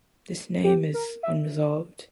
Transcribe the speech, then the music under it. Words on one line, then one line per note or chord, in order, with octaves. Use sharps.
This name is unresolved.
G4
A#4
E5